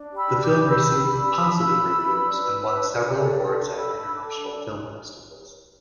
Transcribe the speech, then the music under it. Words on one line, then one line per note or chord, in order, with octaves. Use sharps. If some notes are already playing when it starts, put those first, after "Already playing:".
The film received positive reviews and won several awards at international film festivals.
Already playing: D4
G4
B5 E6
D4
D6 G6
B4
D4 B5 E6
G4
D4
B4
E4
G4
E4
B4
D4
B4
B4
D4
D4
A4
A4
D4
D4 B5 E6
A4 B5 E6
A4 A5 D6
D4